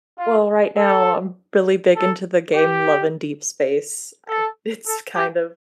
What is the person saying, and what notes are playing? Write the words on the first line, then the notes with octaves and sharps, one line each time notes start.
Well, right now I'm really big into the game Love and Deepspace. I It's kind of
F4
A4
A4
G4
A4
A4
G4